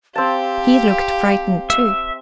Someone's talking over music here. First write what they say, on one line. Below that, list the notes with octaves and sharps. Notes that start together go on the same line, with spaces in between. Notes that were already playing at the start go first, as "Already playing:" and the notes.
"He looked frightened too."
C4 G4 F5 A5
E5